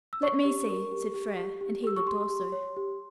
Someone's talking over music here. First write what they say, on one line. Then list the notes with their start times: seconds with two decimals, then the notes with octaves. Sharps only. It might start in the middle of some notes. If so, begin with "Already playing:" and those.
"Let me see," said Frere; and he looked also.
0.13 E6
0.22 C#5 C#6
0.45 G4
0.69 A#4
0.91 G4
1.14 G4
1.37 G4
1.61 G4
1.84 G4 E6
1.96 C#6
2.06 G4 C6
2.30 G4
2.52 C#5
2.76 G4